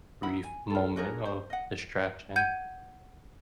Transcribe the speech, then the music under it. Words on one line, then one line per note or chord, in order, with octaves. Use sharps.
brief moment of distraction.
D#4 E4 F#5 B5
G#5
F4 A4
D4 F#4 G#4 A#4
C5
D#5 F#5
F#5 G6 G#6 D#7